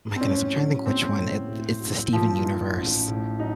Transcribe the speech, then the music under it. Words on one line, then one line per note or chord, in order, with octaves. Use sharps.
My goodness, I'm trying to think which one it It's the Steven Universe
C4
A2 C#4
F#3
A#3 C4
A2
A2
F#3
F3 A#3
D#4
A1
A2
F#3 D#4